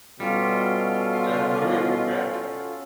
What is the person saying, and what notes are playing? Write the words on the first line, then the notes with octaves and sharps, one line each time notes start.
Dunmurry Rec.
B2 G3 C#4 F4 F#4 A4